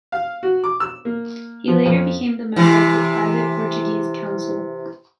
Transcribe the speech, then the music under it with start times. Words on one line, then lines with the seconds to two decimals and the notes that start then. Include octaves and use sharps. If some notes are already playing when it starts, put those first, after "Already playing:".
He later became member of the private Portuguese council.
0.12 F5
0.43 F#4
0.64 D6
0.80 E6
1.05 A#3
1.68 F3
1.86 F2
2.56 C3 E3